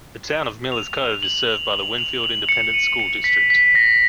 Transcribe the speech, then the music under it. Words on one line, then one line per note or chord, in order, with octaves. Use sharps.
The Town of Miller's Cove is served by the Winfield Independent School District.
F7
F#7
F7
F#7
F7
F7
C#7
D#7
C#7
B6
B6
A#6